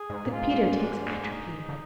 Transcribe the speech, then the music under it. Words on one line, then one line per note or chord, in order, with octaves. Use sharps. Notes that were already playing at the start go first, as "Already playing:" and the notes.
'That Peter takes atropine.'
Already playing: G#4
G#2
A#2
G#2 F4
D4
D#4
D3